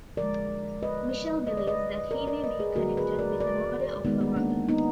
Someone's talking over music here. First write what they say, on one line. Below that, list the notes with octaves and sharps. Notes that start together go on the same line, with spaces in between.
Michelle believes that he may be connected with the murder of her mother.
D3 F3 G#3 A#4 D5
B4 D#5
D3 G#3 D#5
D5
B4 D#5
A#4 D5
A#4 D5
B4 D#5
G#4 B4
D3 F#3 A#3 F#4 A#4
G#4 B4
A#4 D5
A#4 D5
D#3 G#3 B3 D#4
B3
A#3 D4
B3 D#4